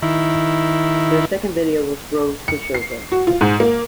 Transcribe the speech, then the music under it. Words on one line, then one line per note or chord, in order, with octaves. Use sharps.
Their Second Video was "Bros Push Over".
D#3 E4
C#7
C7
F#4
F4
G#2
A#3